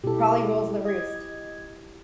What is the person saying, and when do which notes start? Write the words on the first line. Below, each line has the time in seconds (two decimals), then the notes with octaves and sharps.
Probably rules the roost.
0.04 B2 E4 G4 A4
0.85 D#5 G#6